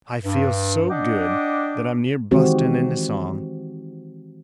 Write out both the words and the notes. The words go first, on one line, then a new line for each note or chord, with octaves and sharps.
"I feel so good that I'm near bustin' into song."
G2
D4 D5 D#5 F#5 G5 D6
D#3 E3 G#3 C4 F#4 G4